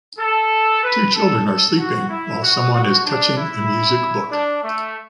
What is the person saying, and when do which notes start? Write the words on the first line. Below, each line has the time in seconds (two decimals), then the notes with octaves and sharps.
Two children are sleeping while someone is touching a music book.
0.18 A4
0.83 B4
1.14 A4
1.46 A4
1.77 F#4
2.09 E4
2.41 F#4
2.73 F#4
3.05 D4
3.37 E4
4.31 D4
4.64 A3